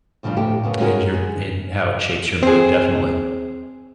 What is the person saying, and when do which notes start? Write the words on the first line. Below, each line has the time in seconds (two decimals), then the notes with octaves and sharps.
and your and how it shapes your mood, definitely.
0.23 F2 C#3 F3 G3 D4
0.37 D2 A2 E4 G4
0.63 F#2 C#3 B3 G#4
0.80 G#3 C#4 D#4 F#4 G#4 A#4
1.14 G#4
2.43 C4 G#4 C5